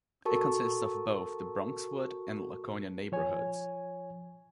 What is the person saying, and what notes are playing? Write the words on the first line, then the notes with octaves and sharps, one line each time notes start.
It consists of both the Bronxwood and Laconia neighborhoods.
F#4 A4 A#4 A5 C#6
F3 C#5 G#5